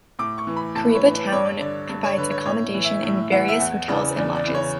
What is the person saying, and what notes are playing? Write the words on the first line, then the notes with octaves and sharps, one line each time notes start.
Kariba town provides accommodation in various hotels and lodges.
A2 D6
C#6
E3
B5
A2 A5
B4
C#5
E3
B4
G2 C#5
D3 D5
G2
C#5
D3 B4
C#5
A2 C#5
E3
E5
A2 E5
E3 F#5
E5
E2 F#5
C#3 E3 D5
E2 D5
D5
C#3 E3
C#5